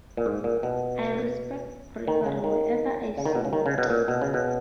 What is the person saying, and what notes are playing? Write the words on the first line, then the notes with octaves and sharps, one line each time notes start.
I respect bravery wherever I see it.
A#2
G#2
A#2
B2
D#3
C#3
D#3
C#3
D#3
B2
C#3
D#3
C#3
B2
A#2
B2
C#3
B2